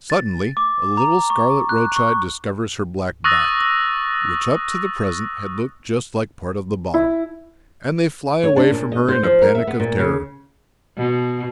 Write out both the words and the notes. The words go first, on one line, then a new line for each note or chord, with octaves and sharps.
Suddenly a little scarlet roach-eye discovers her black back, which up to the present had looked just like part of the bottom, and they fly away from her in a panic of terror.
A6
D6
A#5
C#6
F#6
C#6
C#6 D#6 E6 F#6 A6 A#6
E4
C#5
D4
A#2
D#5
C5
F3
A#4
E5
B3
A#2
C#3
B2